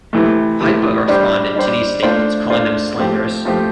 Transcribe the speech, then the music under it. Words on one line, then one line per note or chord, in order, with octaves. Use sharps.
Hipa responded to these statements calling them slanderous.
C3 E3 A3
C3 E3 A3
G3 D4 G4 C5
G3 D4 G4 C5
A3 D4 F4 C5
A3 D4 F4 C5
F3 A3 C4 G4
F3 A3 C4 G4